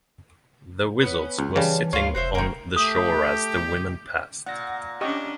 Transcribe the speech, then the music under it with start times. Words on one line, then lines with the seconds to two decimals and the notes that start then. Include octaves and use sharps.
The wizards were sitting on the shore as the women passed.
1.01 B3 C#4
1.39 C#2
1.56 C#3 E3 G3 C#4 A5
1.93 D2 F4 C#5 D5 F5
2.15 F1 F#4 C5 E5
2.35 D#3 A#3
2.76 A3 G4 D#6
4.46 A#2 F#5 A#6
5.01 C#4 D4 G4 D#5 C#6